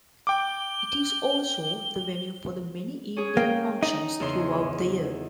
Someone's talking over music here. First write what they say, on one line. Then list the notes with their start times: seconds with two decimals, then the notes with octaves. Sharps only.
It is also the venue for the many evening functions throughout the year.
0.27 G5 D6 G7
3.17 C#4 G#4
3.37 A#3 G5
3.83 D#4
4.20 E2 C#3 C6